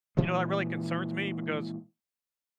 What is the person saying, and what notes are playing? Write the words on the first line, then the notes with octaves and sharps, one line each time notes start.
you know, that really concerns me because
A#2 E3 F3 G#3